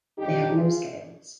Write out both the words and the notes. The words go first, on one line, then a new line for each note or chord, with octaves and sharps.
They have no scales.
F2 D3 G3 D4 D#4 G4
F4 G#4